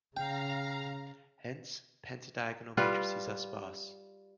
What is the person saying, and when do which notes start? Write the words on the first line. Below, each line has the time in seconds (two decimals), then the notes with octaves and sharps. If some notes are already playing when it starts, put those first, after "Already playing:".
Hence, pentadiagonal matrices are sparse.
0.17 C#3 F5 G5 A#5
2.77 G3 F4 B4